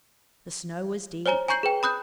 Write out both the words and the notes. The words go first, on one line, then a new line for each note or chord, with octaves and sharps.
The snow was deep.
C5 C#5 G#5 A#5 G7
G#5 A#5 C#6 G6 C7 F#7
G#4 B4 G5
B5 D#6 F#6 G6